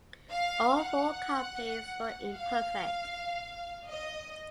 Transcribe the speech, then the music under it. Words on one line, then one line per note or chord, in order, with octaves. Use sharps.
All four copies were imperfect.
F5
F#5
F5
D#5